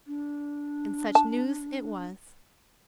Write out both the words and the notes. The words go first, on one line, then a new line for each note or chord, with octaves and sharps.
And such news it was!
D4
A5